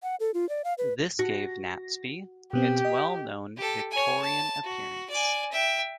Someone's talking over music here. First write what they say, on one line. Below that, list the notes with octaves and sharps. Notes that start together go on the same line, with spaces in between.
This gave Naseby its well-known Victorian appearance.
F#5
A4
F4
D5
F5
B4
F#4 A#6
B2 B3 C4 G4
D#5
G4 A4
C#5 G#5
A5
F#4
D5 G#5
E5 G5